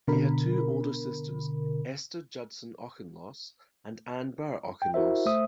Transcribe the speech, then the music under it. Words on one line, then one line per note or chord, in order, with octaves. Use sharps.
He had two older sisters, Esther Judson Auchincloss and Ann Burr Auchincloss.
B2 D3 A#4 B5
G5
E4 F#4 A#4 C5 E5
A3 C5 E5 D#6